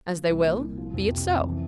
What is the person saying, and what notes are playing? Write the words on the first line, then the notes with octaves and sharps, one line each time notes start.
As they will. Be it so.
F3
C2
A#2
C2
F3
F2
C3
F2
E3